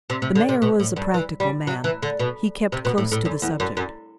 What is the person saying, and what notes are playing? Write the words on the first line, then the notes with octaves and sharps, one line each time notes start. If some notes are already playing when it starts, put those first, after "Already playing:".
The mayor was a practical man; he kept close to the subject.
C3
C3
D3
C3
B2
A2
G2
E3
G3
F#3
E3
D3
B2
C3
B2
A2
A2
F#2
E2
F#2
F#2